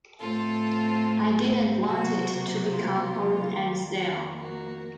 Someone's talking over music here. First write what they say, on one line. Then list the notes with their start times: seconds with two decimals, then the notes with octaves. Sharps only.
I didn't want it to become old and stale.
0.19 A2 A3 C4 F4 A4
1.87 C3 F#3 A#3 F#4
2.70 F4
3.54 F2 D#3 A#3
4.38 F#4 A#4